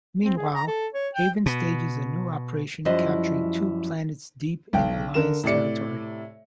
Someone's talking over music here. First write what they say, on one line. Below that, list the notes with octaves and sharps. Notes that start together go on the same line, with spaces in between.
Meanwhile, Haven stages a new operation capturing two planets deep in Alliance territory.
C4
G#4
A#5
A4
C#5
G5
B2
F#2 F3 G3 E4 D#5 F#5
B1 G5
D3 A#4 E7
A2 C3 D5 C#7